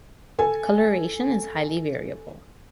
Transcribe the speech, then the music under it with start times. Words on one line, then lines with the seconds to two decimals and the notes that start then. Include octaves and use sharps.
Coloration is highly variable.
0.39 A4 G#5